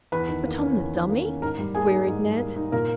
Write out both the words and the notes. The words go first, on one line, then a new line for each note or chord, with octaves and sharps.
"But on the dummy!" queried Ned.
E2 B4 B5
D#3
A#3
C#4
E2
D#3
A#3
C#4
G#2 A#4 A#5
G3
A#3 G#4 G#5
D#4
G#2
G3
A#3
D#4
A#2 A#3 A#4